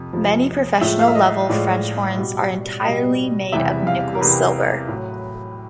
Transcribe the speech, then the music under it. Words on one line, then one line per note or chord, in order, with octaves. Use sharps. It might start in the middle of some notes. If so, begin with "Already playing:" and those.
Many professional-level French horns are entirely made of nickel silver.
Already playing: F2 C3
F2 C3 F3
A2 F3 G#3 E5
F5
E5
D#5
A2 F3 G#3 D5
B2 G3
B2 G3 D#5
E2 C3 E3 G3 E5
F5
A#4
E2 C3 E3 G3 B4
A2 F#3